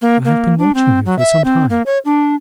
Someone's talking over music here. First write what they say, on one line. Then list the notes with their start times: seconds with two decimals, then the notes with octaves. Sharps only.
"I have been watching you for some time."
0.02 A#3
0.25 A#3
0.58 D4
0.75 C4
1.06 F#3
1.19 E5
1.44 C4
1.70 A#3
1.86 C#5
2.05 D4